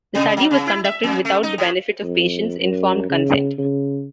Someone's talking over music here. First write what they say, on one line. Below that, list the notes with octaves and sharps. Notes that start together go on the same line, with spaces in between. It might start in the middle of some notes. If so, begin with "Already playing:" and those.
The study was conducted without the benefit of patients' informed consent.
C3
F#3
C#3
E4
E5
F2
A3
D#4
A2
F2
F#2
C#3
C#3